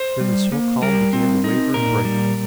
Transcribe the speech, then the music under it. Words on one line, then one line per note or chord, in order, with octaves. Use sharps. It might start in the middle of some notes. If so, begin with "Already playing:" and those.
Then the smoke column began to waver and break.
Already playing: C5
G3
A#3
G3 A#4
C4
D#4
A#2 A#4
G3